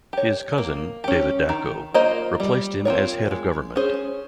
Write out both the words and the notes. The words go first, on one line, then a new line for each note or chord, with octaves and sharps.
His cousin, David Dacko, replaced him as head of Government.
G4 C#5
A#3
C#4 G4
D#3
A#3 F4 C5 D#5
G3
C4 F4 A#4 C#5
G#3
C#4 G#4 C5